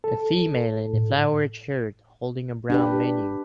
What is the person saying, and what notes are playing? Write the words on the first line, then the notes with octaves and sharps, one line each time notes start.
A female in a flowered shirt holding a brown menu.
A4
A2
D4 G4 B4